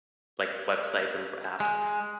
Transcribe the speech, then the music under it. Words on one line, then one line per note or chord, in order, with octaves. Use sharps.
like, websites and br apps.
G#3